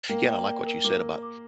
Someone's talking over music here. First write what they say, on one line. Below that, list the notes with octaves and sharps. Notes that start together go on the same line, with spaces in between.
yeah, and I like what you said about,
A#3 G5
G5
D5
A#4
A#3 D6
A#4
D6